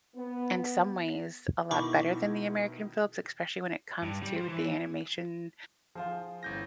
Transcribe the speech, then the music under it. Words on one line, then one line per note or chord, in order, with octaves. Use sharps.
in some ways, a lot better than the American films, especially when it comes to the animation
B3
B2 D#3 E4 B5 C#6 D6
G2
G3
C5
E3
F3 F4 G#4 C5
G1 E3 C#4 G6 A#6